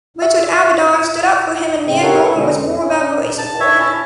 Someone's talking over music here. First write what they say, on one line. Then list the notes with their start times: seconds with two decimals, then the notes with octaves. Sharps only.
Richard Avedon stood up for him and Nan Goldin was full of admiration for him.
0.22 E5
1.85 A2 C#3 C4
2.02 G4 A4 A#4 C#5 F#5
2.23 B4
2.35 B2 D3 G#3 C#4
2.60 F2
2.79 C#4
3.38 A5
3.60 C#5 E5
3.80 C#4 E4 A5
3.92 C#4